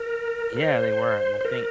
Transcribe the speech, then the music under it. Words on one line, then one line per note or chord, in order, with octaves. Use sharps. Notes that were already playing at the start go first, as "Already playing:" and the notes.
Yeah, they were, and I think
Already playing: A#4
A#4
C5
C5
A#4